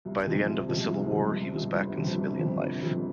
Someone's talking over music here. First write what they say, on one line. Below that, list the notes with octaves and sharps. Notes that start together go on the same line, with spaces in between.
By the end of the Civil War he was back in civilian life.
C2
C3 F3 G#3
C2
C3 F3 G#3
C2
C3 F3 G#3
C2
C3 F3 G#3
G1
F2 C3 F3
G1
F2 C3 F3
G1
F2 C3 F3